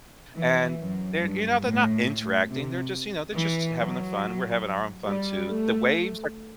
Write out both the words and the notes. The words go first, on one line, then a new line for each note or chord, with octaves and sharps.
and they're, you know, they're not interacting, they're just, you know, they're just having their fun. We're having our own fun, too. The waves, are
E3
F#2
G2
A2
C3
E3
F#3
G3
A3